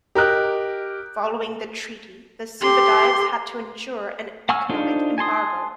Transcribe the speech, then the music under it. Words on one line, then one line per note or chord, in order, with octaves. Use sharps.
Following that treaty the Suvadives had to endure an economic embargo.
G4 A#4 D#5 F#6
G4 A4 C6
F#5 G#5 C#6 E6 F6
D4 D#4 F4 A4 C5
G#5 A5 C6 D#6